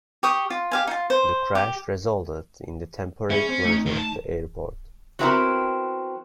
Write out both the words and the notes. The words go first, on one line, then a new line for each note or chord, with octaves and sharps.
The crash resulted in the temporary closure of the airport.
G4 C#6 D#6
F4
G4 F5 G#5
D#4 F4
C5
G4
C#4 G#4 B4 E5
C4
A3 D#4
A#2 D#3
A5
F#3 B3 C4 E4 G4 A#4